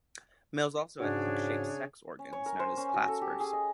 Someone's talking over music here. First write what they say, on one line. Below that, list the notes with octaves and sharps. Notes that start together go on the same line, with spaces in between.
Males also had hook-shaped sex organs, known as claspers.
G#2 C#3 D4 F#4 G#4 C#5
C#4
C#5
A#4
C5
C#4
F#4
A4
G4
G#4
D#5